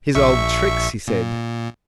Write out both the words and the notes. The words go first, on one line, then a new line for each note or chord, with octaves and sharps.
"His old tricks," he said.
A#1 E5 C#6
A#2